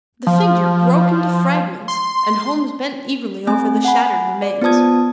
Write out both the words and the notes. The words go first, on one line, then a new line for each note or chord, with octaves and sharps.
The figure broke into fragments, and Holmes bent eagerly over the shattered remains.
F3
C6
A3 C4 G#5
F#5 G#5 B5
D5
B3 F4 C5 A5 D#6 G#6